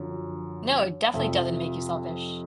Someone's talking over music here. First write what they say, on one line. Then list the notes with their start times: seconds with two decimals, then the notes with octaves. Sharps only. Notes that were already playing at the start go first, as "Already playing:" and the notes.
No, it definitely doesn't make you selfish.
Already playing: F#2 D3 F3
1.14 F2 C3 F3 E5